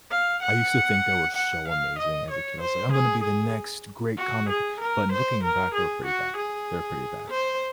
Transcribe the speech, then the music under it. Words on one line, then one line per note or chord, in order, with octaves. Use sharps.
I used to think they were so amazing as a kid, I was like, "I'm gonna be the next great comic," but looking back, they were pretty bad, they were pretty bad,
F5
F#5
F#5
F5
D#5
C#5
C5
G#4
G#4
F#4
G#4
A#4
C5
A#4
G#4
F#4
G#4
C5